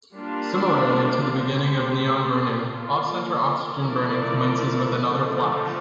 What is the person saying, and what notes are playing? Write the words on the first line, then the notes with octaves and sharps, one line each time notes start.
Similarly to the beginning of neon-burning, off-center oxygen-burning commences with another flash.
G3 A#3 D4 F4
A3 C4 G4 C5
A#3 F4 A4
F3 A3 E4 A#4 D5
D3 F3 A3